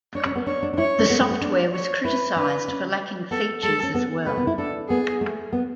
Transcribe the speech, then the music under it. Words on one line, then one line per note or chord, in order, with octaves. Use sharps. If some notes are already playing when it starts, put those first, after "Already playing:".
The software was criticized for lacking features as well.
D4 C#5
C#4
B3
D4 C#5
D4
D4
E4 C#5
C#4
B3
A3
B3
D4
C#5
E4 B4
D4 B4
C#4
B3 A4
G#3 A4
C#4
B3
A3 B4
B3
E4
D4 A4
B3 G#4
A3
B3